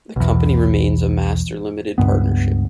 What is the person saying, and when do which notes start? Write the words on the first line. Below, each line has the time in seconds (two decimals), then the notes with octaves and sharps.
The company remains a master limited partnership.
0.16 B1 E2
1.98 C#2 G2 B3